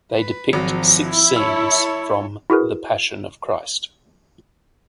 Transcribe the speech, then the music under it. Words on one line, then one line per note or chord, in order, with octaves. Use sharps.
They depict six scenes from the "Passion of Christ".
B4
G#1 F3 F#3
E4
A4 C#5 E6
E4 F#4 G#4 A#4 B4